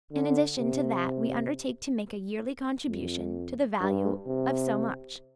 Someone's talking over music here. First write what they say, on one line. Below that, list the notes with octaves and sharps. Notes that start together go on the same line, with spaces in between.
In addition to that we undertake to make a yearly contribution to the value of so much.
D3
C3
F2
G2
C3